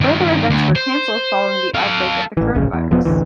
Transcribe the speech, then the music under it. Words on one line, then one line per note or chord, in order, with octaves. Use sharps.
Further events were cancelled following the outbreak of the coronavirus.
G2 D#3
D2
C5
A4 F5
A1 E3
D1 A#1 C#3
E2
E1 F3 B3
A1 D2 E3